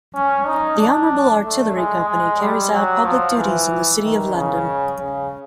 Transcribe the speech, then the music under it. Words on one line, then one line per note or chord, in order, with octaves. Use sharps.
The Honourable Artillery Company carries out public duties in the City of London.
C#4
D#4
D4
A3
G#3
G#3
G3
F#3
F3
E3
D#3
C#3
C#3